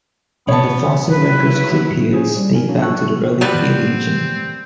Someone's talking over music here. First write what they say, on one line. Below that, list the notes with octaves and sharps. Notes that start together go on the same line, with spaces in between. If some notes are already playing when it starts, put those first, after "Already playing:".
In the fossil record clupeids date back to the early Paleogene.
B3 C#5 A5
F#3 E4 B4
C#4 E4 G#4 C5
G3
A#4 G#5
F#3 A#3 C#4 D4 F#4
A5 C#6 E6 F#6
A3 C#6
G3 B3 C4 B4